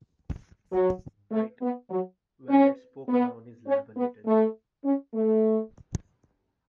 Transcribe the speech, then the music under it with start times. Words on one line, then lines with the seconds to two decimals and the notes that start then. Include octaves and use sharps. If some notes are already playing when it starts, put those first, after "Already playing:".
Right, well let's poke around his lab a little.
0.72 F#3
1.31 A3
1.62 B3
1.91 F#3
2.49 C#4
3.08 B3
3.67 C#4
3.97 B3
4.27 A3
4.85 C#4
5.14 A3